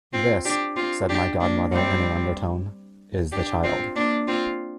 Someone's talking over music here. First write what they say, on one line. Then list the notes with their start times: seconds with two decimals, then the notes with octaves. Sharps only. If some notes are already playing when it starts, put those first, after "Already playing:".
"This," said my godmother in an undertone, "is the child."
0.13 C4 F4
0.45 D4 G4
0.76 C4 F4
1.09 D4 G4
1.41 A#3 D4
1.73 G3 C4
3.32 D4 G4
3.63 C4 F4
3.96 A#3 D4
4.28 C4 F4